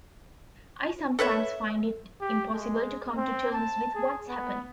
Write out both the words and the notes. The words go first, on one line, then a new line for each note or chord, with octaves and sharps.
I sometimes find it impossible to come to terms with what's happening.
A4 B4 C#5 E5
G4
G#3
C4
A5
G#4
B3